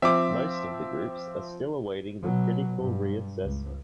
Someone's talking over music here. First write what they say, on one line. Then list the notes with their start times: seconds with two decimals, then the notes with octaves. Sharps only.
Most of the groups are still awaiting the critical re-assessment.
0.02 F3 C4 E5 D6
2.22 B2 F#3
2.78 G2
3.43 C#2